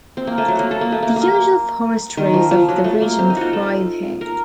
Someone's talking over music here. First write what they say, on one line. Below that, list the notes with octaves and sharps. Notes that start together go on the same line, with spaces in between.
The usual forest trees of the region thrive here.
C4
A#3
A3
F#3
A#3
A4
A#3
A3
A#3
A#3
D#3
F3
F3
F#3
A3
A#3
C4
D#4
F4 F#4
A4
A#4